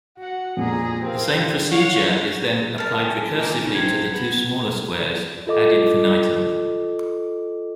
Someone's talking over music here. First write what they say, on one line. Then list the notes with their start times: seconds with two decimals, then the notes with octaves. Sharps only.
The same procedure is then applied recursively to the two smaller squares, "ad infinitum".
0.18 F#4 F#5
0.57 F2 A#2 G#4 A#5
1.02 C4 G4 A#4 F5
1.70 C#5 F5 F#5
2.78 A#4 A5
3.04 G#5
3.38 A#2
3.63 C#3 D#4
3.74 C3 G#6
4.12 B3
5.47 F4 A4 D#5 D6